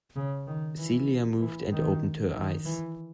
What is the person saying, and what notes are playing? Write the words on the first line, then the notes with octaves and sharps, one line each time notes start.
Celia moved and opened her eyes.
C#3
D#3
E3
E3
D#3
D#3
E3